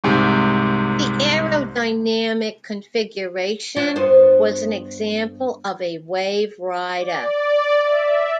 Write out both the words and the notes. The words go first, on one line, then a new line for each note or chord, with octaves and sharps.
The aerodynamic configuration was an example of a waverider.
C2 G#2 C3
C#4 D4 F4
G2 B3 C5
D5
E5